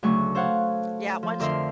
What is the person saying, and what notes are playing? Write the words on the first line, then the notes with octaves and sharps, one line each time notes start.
yeah, once you
D2 C#3 F#3 A3 C#6
A4 C5 C#5 F5 F#5
F3
F2 D3 A#4 E5 C6